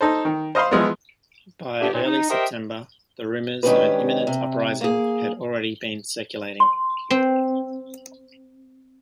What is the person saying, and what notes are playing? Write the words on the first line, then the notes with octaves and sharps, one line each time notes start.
By early September, the rumors of an imminent uprising had already been circulating.
D#4 A4 C5
D#3
C5 D#5 F5 B5 C6
E3 F3 G#3 B3
G2 A3 B3 D4 G4
D#2 A#2
D#4
G4 A#4 C5 D#5 E5 G5
G#2 D#3 C#4 D4 G4 B4
C3
A#3 G#4
C6
C4